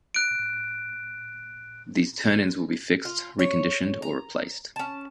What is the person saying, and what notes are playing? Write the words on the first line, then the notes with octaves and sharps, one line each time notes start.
These "turn-ins" will be fixed, reconditioned, or replaced.
F#6 D7
F4
C#5
A#5
C#4 A5